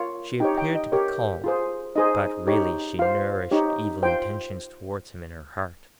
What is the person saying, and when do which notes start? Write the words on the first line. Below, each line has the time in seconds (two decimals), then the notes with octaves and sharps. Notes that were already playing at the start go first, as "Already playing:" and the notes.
She appeared to be calmed, but really she nourished evil intentions towards him in her heart.
Already playing: F4 A#4 C#5
0.40 D#4 G4 C#5 G5
0.58 G5
0.75 D#5
0.92 G4 A#4 C#5
1.44 F4 G#4 C5
1.95 D#4 G#4 C5 D#5
2.47 D#4 G4 C#5
2.99 F4 C5 F5
3.51 D#4 G4 C#5
4.03 F4 C5 G5